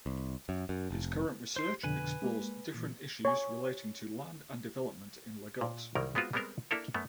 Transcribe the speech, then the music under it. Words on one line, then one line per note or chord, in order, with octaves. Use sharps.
His current research explores different issues relating to land and development in Lagos.
C2
F#2
F#2
F1
C5 C6
F2 B2 D3 B4 G#5
G#3 A#3
A#2 E3
C#5 G#5
A#2
C2 D#3 F#3 G3 A#4
G#3 B3 C4 F4 F#4
G3 G#3 B3 C4 A#4 C5
A#3 D4 E4 A4 A#4
F#2 A3 B3